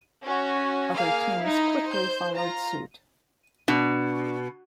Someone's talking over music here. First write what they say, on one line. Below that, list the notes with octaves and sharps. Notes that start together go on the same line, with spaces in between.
Other teams quickly followed suit.
C#4 F#4
A#3 G#4 F5
D#4 E4
C5 G6
F4 A#5
B2 D4